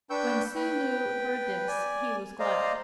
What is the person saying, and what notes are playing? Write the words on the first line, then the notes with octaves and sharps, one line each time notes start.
When Tzu-lu heard this he was glad.
D4 B4 G5 C#6 E6 G6
B4 G5
D5 G#5
C5 D5 D#5 F5 A#5